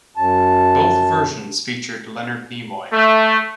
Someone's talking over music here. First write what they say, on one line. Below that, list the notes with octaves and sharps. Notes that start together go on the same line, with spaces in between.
Both versions featured Leonard Nimoy.
F#2 A5
A3